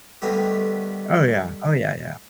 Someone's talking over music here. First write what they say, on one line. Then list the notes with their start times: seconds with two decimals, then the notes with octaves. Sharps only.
Oh, yeah. Oh, yeah, yeah.
0.22 D3 D#3 G3 A3 B3 G4